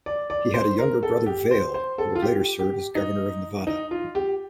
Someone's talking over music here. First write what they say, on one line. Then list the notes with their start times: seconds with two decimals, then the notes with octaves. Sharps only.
He had a younger brother Vail, who would later serve as Governor of Nevada.
0.06 D5
0.30 D5
0.54 C5
0.79 A#4
1.03 A4
1.26 G4
1.51 C5
1.74 C5
1.98 A4
2.15 F4
2.22 G4
2.59 G4
2.95 D#4
3.67 D#4
3.91 F4
4.15 G4